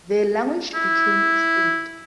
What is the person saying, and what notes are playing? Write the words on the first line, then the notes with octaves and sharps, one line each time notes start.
Their language became extinct.
E4